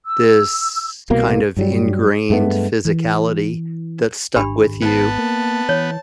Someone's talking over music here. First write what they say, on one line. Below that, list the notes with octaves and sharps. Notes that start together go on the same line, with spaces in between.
this, kind of, ingrained physicality that stuck with you
E6
C2 B2 A#3
G2 F#3 G3
G2 G#3 A3 B3
E3
G#1 D4 G4 B5
B3 A5
A#3
E3 C#5